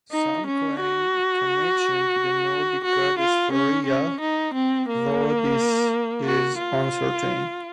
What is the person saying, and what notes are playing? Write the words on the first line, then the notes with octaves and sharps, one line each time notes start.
Some claim a connection to the Nordic goddess Freyja, though this is uncertain.
D#4
C#4
F#4
F#4
F4
C#4
C#4
D#4
C4
A#3
F#4
F4